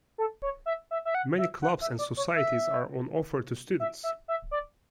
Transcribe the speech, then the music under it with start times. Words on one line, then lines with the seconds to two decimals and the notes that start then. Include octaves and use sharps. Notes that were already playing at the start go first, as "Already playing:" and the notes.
Many clubs and societies are on offer to students.
0.18 A4
0.42 C#5
0.66 E5
0.91 E5
1.05 E5
1.15 F#5
1.38 E5
1.62 F#5
1.81 E5
1.99 D5
2.17 C#5
2.35 E5
3.80 E5
4.04 E5
4.28 E5
4.51 D5